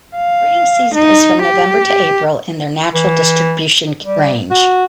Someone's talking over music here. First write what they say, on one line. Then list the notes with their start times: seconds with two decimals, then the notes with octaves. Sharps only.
Breeding season is from November to April in their natural distribution range.
0.16 F5
0.95 D#4
1.42 G4
2.94 E3
4.04 G3
4.51 F#4